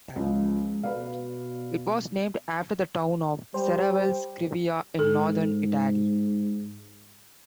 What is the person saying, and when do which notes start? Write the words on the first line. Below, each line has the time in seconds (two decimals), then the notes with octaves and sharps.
It was named after the town of Serravalle Scrivia in northern Italy.
0.16 C#2 F3 G#3
0.83 B2 B4 D5 F5
3.54 G3 C5 G5
4.99 G#2 A4